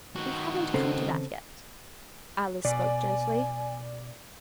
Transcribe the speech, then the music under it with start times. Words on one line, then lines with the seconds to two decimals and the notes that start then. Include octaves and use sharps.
"We haven't come to that yet," Alice spoke gently.
0.16 D#3 F#4
0.74 C#3 C4 A4
2.65 B2 D5 G#5